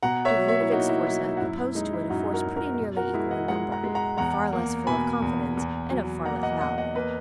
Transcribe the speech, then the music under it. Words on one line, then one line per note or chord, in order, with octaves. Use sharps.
Duke Ludovic Sforza opposed to it a force pretty nearly equal in number, but far less full of confidence and of far less valor.
B2 F#5 A#5
C#5 E5
F#3
C#5 E5
E4
A#3 D#4 F#4
E4
F#3 E4
D#4
F#4
F#2 E4
E4
G#3 D#4
E4
F#2 D#4 F#4
F#4 A#4
F#2
F#4 A#4
B2
F#4 A#4
G#3 E4 G#4
D#5 F#5
G#3 F#5 A#5
F#5 A#5
G#3
F#5 A#5
E2 F#5 A#5
A#3
B2 G#5 B5
E2
E2
F#3
A#3 F#5 A#5
D#5 F#5
E2 D#5 F#5
D#5 F#5
A#3 B4 D#5